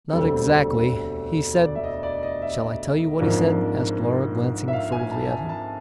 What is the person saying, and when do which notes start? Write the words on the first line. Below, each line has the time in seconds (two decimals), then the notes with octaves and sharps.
"Not exactly, he said--shall I tell you what he said?" asked Laura glancing furtively at him.
0.11 E1 D2 D3 G3 C4 A4
1.65 D5
1.75 E5
1.84 D#5
2.03 D5
2.23 D#5
2.42 E5
3.19 G#1 G#2 F3 A#3 D4
4.68 E5
4.73 F5
4.92 G#5
5.11 A5
5.31 G#5
5.49 A5